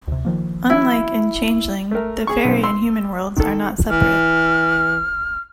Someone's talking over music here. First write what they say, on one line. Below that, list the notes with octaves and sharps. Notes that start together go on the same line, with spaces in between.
Unlike in Changeling, the faerie and human worlds are not separate.
D2 C3
D#3 F3 A#3
E4
A3 A#4
G#4 C#6
B1 C4
C6 E6
D#3 A4
E3 F6